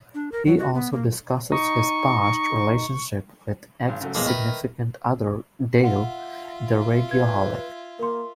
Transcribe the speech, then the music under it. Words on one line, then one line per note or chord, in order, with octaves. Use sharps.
He also discusses his past relationship with ex-significant-other Dale, "the Rageaholic".
D4
A#4
F#3
F#4
B3
A#3
D#4 C#6
G#1 F5
C#3 F#3 A3
B1 A2 F3 G#3 A#3
D#3 A#4 B4 E5
F4 E5 F#5
B4 G#6
A#3 A#4 C6